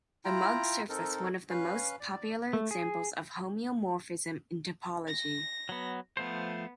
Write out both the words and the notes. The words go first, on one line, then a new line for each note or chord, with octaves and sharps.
The mug serves as one of the most popular examples of homeomorphism in topology.
E4 F4 G5 A#5
C4 D#4 A4 A#4
C#4 B4 F5
D5
A3
G#4
A#6
F#3 B3
F3 A3 B3 C5